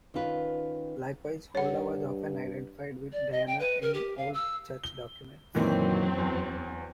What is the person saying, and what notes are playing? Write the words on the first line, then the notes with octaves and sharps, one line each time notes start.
Likewise, Holda was often identified with Diana in old church documents.
D#3 C#4 F4 B4
G2 C#5 F#5
D5
D#5
G5
B4
A#4
G4
F5
E6
G7
F#2 A#2 D#3 E3 F#3 C4
E2